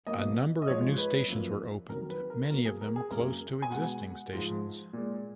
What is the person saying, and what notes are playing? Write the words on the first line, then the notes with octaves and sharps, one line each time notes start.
A number of new stations were opened, many of them close to existing stations.
B2 F#3 A#3 D#5
D#5
G#2 F3 G#3 C#5
B4
F#2 F3 A#3
F2 D#3 F#3 A#4
B4
A#4
B2 F#3 A#3 A#4
G#4
A#4
G#4
F#2 C#3 F#3 A#3 A#4
G#5
B2 G#3 F#5
G#2 F3 G#3
A#2 G#3